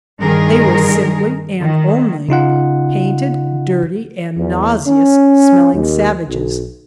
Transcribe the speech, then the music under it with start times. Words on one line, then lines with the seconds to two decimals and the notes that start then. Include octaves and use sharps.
They were simply, and only, painted, dirty, and nauseous-smelling savages!
0.19 G2 D#3 G#4 A#4
1.61 D#3
2.29 C#3 D#4 F4 F#5
4.37 E2
4.87 C#4
5.75 D#2
6.29 B1